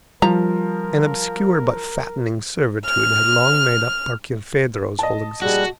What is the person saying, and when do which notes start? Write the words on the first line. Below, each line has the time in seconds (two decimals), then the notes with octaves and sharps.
An obscure but fattening servitude had long made up Barkilphedro's whole existence.
0.22 F3 G3 A#4 A#5
2.84 F6
4.99 D#5 A5
5.42 A#1 G3 G#3 F#4 F#6